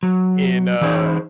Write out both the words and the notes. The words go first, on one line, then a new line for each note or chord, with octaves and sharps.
in, uh,
F#3
E3 D#4 G#4 C5